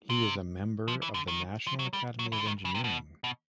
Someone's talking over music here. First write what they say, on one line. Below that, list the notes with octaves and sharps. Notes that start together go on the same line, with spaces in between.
He is a member of the National Academy of Engineering.
C3
F3
E3
D3
D#3
F3
F#3
G3
F#3
E3
D3
D#3
C#3
C3
B2
B2